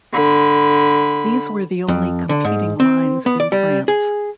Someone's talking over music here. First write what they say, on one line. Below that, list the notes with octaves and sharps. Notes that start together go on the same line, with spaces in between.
These were the only competing lines in France.
D3 B5
F2
D3
G#2
C4
B3
D5
G3
G#4